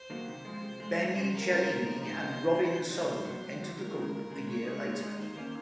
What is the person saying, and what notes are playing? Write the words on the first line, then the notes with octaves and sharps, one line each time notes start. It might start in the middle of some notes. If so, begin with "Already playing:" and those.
Benni Cellini and Robin Sohn entered the group a year later.
Already playing: C5
D#3 F#3 A#3
C3
F3 G#3
C3
F3 G#3
C#2
C3 F#3 C#4
C#2 A#4
C3 F#3 C#4
G#2
F3 A#3 D#4
G#2 C5
F3 A#3 D#4
C3
F#3 C4 D#4
C3 C5
F#3 C4 D#4
C#2
C3 F#3
C#2
C3 F#3
D#2 A#4
C#3 G#3
D#2
C#3 G#3
A#2 C#5
G#3 D#4
A#2
G#3 D#4
D#2 C5
D#3 A#3 C#4